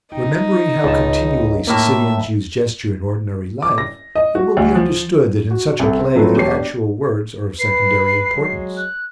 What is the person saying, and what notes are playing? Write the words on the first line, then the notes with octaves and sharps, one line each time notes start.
Remembering how continually Sicilians use gesture in ordinary life, it will be understood that in such a play the actual words are of secondary importance.
D#4 G5
C#2 A5
A2 A#3 E5
D6
A#6
D#5
F#4
D2
F3
F#4
C2 A4
C4
F3 F#3 A3 C4 A4 B4
E1 G4 C#5 C7
D4 G4
B4 C7
F#3 G#3
F#6